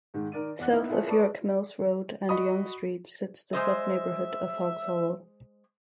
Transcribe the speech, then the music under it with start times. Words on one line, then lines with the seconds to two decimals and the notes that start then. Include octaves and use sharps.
South of York Mills Road and Yonge Street sits the sub-neighbourhood of Hoggs Hollow.
0.14 G#2 D#3 G#3
0.32 D#3 A#4 D5 D#7
0.60 E2 D5 F#5 F#6
0.72 B3 D#4 E4
0.89 E4 F4 G#4 A4 C#5
1.07 A4 B4 D5 A5 C#6 D#6
2.29 F#4 D5 D#5 B5 C#6 D#6
3.53 G#3 C5 D#5 E5